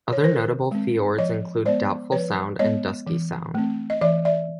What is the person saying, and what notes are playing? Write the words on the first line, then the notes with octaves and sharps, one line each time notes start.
Other notable fiords include Doubtful Sound and Dusky Sound.
C#5
D#3 A#4 C5
G#3 C4
F3 C#5 D#5
G#3 B3 C5 D5
F3 B4 C#5
G#3 B3 C#5 D#5
E3
A3 C4
D#5
E3 D5 E5
D5 E5